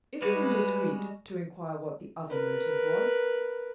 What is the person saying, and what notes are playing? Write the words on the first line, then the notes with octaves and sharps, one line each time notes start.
"Is it indiscreet to inquire what the other motive was?"
G3 G#3 F#4 B4
A#4 B4